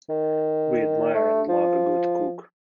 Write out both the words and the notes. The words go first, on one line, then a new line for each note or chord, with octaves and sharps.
We admire and love a good cook.
D#3
A3
F3